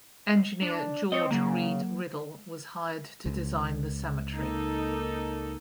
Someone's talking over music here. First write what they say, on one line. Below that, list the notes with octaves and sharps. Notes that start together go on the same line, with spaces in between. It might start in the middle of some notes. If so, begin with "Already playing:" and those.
Engineer George Read Riddle was hired to design the cemetery.
D4
C4 C#5 D#5
C#3 F#3 A#3
C#2
A#3 D#4 A4